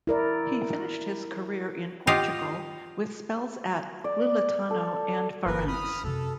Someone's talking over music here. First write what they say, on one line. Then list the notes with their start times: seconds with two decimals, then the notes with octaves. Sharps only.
He finished his career in Portugal with spells at Louletano and Farense.
0.07 E4 A#4 D5
2.07 F4 G4 D#5 F5 F#5
4.04 D5
4.70 A4
5.46 G1 A#3 A#4 B4
5.68 E4 B5 D#6 F6
6.04 F#2 C3 A4